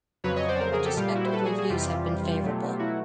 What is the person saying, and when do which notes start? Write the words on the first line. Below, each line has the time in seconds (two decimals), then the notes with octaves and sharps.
Several retrospective reviews have been favourable.
0.24 F2 C#3 F#3 B4 C#5
0.36 C#5 D#5
0.48 C5 D5
0.55 C#5
0.60 A#4 C5
0.73 G#4 A#4
0.85 G4 A4
0.97 A#2 G3 F4 G4
1.15 E4 F#4
1.25 C5
1.33 A4 B4
1.45 F#4 G#4
1.58 F#4 G#4
1.70 F2 C3 E3 G3 F4 G4
2.43 B2 F#3 A3
2.79 E4 F#4